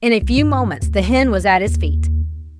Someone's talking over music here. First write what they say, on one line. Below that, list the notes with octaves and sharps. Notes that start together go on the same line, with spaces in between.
In a few moments the hen was at his feet.
C2
G2
D2
D#2